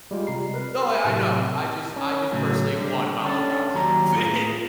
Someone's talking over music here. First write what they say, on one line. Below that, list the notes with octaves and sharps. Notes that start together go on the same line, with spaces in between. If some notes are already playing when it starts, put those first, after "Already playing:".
No, I I know. I just I just personally want Miles Morales' outfit.
G3 G#3 F4
C3 A#5 C7
A#4 B4
A2 C3 F#3
C#4
A2 C#3 F#3 C#4
D3 G3
C#4 D4 A4
D#2 F#3 G4 A#5
A2 F4 G#4 A#4